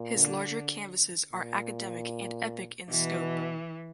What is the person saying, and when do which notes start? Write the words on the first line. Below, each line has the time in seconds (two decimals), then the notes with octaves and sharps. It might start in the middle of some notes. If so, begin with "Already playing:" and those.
His larger canvases are academic and epic in scope.
Already playing: A#2
0.14 D3
1.32 A#2
2.89 B2 E3